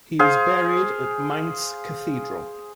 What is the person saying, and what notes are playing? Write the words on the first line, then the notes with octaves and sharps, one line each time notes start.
He is buried at Mainz Cathedral.
G#4 C5 F5